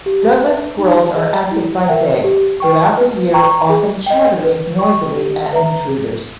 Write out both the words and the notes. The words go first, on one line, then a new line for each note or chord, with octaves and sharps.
Douglas squirrels are active by day, throughout the year, often chattering noisily at intruders.
G4
B4 E5
D#4
G#4 D#5
E4
A#4 E5 G5
G4
B4 G5 C#6
B4
G5 A#5 C#6
G#4
D#5 G5
B4
G5 C#6
G4
B4 E5 A#5
G#4